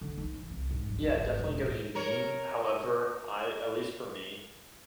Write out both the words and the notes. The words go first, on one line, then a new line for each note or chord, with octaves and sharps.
Yeah, definitely get what you mean. However, I at least for me,
D3
D#4
E3
C2
G#2
G3
D3
G#1
E1
A1
A#4 C#5